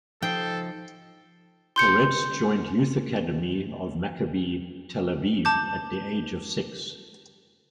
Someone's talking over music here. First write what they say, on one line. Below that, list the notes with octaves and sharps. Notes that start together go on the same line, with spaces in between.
Peretz joined youth academy of Maccabi Tel Aviv at the age of six.
F3 D#4 A4 C5 G5
C6 G6 C#7
A5 D6 G6